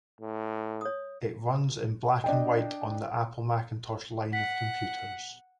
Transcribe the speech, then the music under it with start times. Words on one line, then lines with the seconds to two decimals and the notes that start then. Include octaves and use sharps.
It runs in black-and-white on the Apple Macintosh line of computers.
0.21 A2
0.81 C#5 D#6
2.24 D4 D#5 G5
4.33 F#5 B6